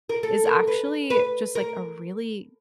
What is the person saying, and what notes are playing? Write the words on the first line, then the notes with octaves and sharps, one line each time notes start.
is actually just, like, a really,
A#4
A4
A#4
B4
B4
A#4